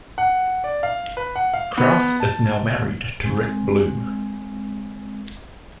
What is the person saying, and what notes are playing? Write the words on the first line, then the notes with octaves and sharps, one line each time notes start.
Crouse is now married to Rick Blue.
F#5
D5
F5
B4
F#5
F5
B3
A5
G#3 C4